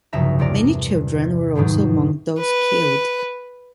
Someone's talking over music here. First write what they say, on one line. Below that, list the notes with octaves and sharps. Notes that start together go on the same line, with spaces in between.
Many children were also among those killed.
F1 B1 G2 C#3 E5 A#5
E2 C3 A#4 D5 A#5
G1 E2 G#2 D#3 F#3
B4